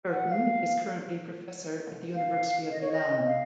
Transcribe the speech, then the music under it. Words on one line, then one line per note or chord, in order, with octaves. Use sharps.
Bertin is currently Professor at the University of Milan.
F#5
F5
F5
D#5
C#5
D#5
F5